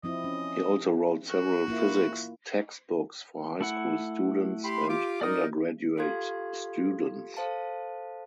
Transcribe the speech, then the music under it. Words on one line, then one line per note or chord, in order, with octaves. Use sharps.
He also wrote several physics textbooks for high school students and undergraduate students.
F3 C4 E4 D#5
C#4
F#4
A#3 E4 F4
A3 E4 F#5
G4 B5 C6
F4 G4 D6
D#4 A#4 D5 D#6
F4 G4 A4 F5 C6 G#6
A4 C5 F5 A5